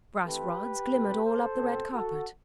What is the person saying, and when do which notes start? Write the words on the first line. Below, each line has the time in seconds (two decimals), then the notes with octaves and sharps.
Brass rods glimmered all up the red carpet.
0.24 E3 A3 C4 G4 B4
0.91 B2 A3 C4
1.24 A4 C5
1.57 B2 A3 C4
1.90 F#4 A4